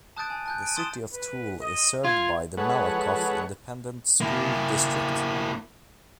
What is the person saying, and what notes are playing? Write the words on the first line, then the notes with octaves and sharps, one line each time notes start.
The City of Tool is served by the Malakoff Independent School District.
A5 D#6 F#6 G6 A6 D7
G#5
A5 F#6 G6
D7 D#7
C6 D#6 A6 D7 E7
B4
D#5
F4 G#6
G#3 A4 B4 C#5 F#5
A#3 E4